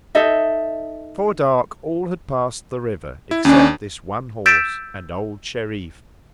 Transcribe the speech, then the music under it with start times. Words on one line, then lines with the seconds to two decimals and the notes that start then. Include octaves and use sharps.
Before dark all had passed the river except this one horse and old Shereef.
0.15 D#4 A4 D#5 E5
3.31 E4
3.45 D#2 C#4 D4
4.46 E6 G6 A6 B6 D7 E7